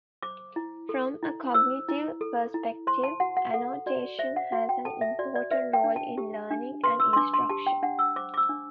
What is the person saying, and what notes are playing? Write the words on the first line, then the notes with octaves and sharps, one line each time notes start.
From a cognitive perspective annotation has an important role in learning and instruction.
C5 D6
E4
A4
E4
C5 E6
E4
A4
E4
C5 C6
A5
F#4 F#5
F#5
A4 F#5
F#4 D5
C5 E5
F#5
F#4 F#5
G5
A4 A5
E5
F#4 D5
D5
B4 E5
G5
D4
A5
G4
D4
B4 C6
E6
C6
D4 D6
C6
G4 A5
G5
D4 F#5
E6
C5 D6
D6
E6
D4